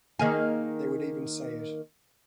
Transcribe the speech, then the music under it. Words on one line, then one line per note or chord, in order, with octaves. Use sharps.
They would even say it.
D#3 A#3 G#4